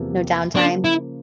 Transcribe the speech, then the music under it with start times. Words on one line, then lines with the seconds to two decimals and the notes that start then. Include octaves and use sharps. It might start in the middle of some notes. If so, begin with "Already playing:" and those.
No downtime?
Already playing: E2 C3 F3 A#3
0.56 C#3 F3 A#3 D4
0.84 E4